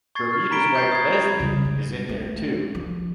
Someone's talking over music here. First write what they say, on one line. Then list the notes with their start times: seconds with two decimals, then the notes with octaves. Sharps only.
Bermuda's wife Leslie is in there too.
0.15 C#6 G#6 A6 C7
0.33 F6
0.51 A#5 B5 B6 D7 G7
0.75 G6 A6 C7
0.92 D#6 G#6
1.40 C#3 G3
1.65 G#3
2.09 G#3 A3
2.75 F3